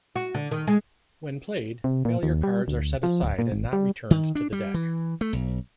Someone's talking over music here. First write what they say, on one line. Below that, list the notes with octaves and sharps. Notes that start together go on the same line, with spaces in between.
When played, failure cards are set aside and not returned to the deck.
F#4
D3
D#3
G#3
C3
A#2
D#2
G3
D2
F3
D1
A#2
G#1
G3
D#3
D4
G3
E3
A3
B1